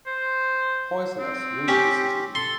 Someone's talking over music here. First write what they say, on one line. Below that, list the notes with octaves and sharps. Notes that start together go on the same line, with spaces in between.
Hoysalas ruled the city.
C5
C4
C#4 G4
A4 C6